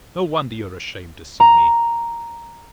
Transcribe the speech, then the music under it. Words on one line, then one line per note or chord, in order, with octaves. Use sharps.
No wonder you are ashamed to see me.
A#5